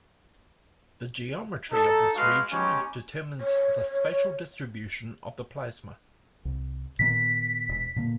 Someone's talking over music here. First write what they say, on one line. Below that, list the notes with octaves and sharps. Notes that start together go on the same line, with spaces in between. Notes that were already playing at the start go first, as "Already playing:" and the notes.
The geometry of this region determines the spatial distribution of the plasma.
D#4 A4
G#3 F#4 B4 F5
G#3 B3 C#4 D#4 G4
C#5
C2
A#2 D#3 B3 B6
E1
A#2 D3 A#3